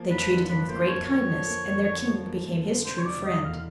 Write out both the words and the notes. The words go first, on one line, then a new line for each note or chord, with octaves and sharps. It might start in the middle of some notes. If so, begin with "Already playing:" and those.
They treated him with great kindness and their king became his true friend.
Already playing: F3 A#3
F2 B4
D3
F3 B4
A#3 C5
F2 C#5
D3 C#5
F3
A#3
F2
D3
F3
A#3
F2
D3
C3 C5
C#5
E1 D5
E1 D#5
E2 F5